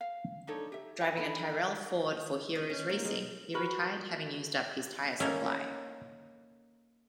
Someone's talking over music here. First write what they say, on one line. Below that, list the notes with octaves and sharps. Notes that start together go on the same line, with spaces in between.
Driving a Tyrrell-Ford for Heros Racing, he retired having used up his tyre supply.
F5
D4 D#4 A4 C#5
G4 E5
D#5 G5
D4 D#4 A4 B5
D#5
C#4
A#3
G#3
F#4 A#4 B4
A#3 C#4 D#4 E4 A4